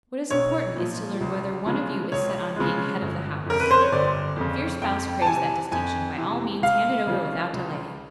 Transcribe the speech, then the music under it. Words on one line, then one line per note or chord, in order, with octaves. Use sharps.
What is important is to learn whether one of you is set on being "head of the house." If your spouse craves that distinction, by all means hand it over without delay.
B1 C#5
A#2 F3
C#2
C#3 F3 G#3
C#2 C#5
C#3 F3 G#3
G1
F2 C#3 A#4
B4
C5
C#5
G1 D5
F2 C#3
F2 G5
A5
C3 E3 G#5
F2 G#5
C3 E3
C#2 F5
C#3 F3
C#2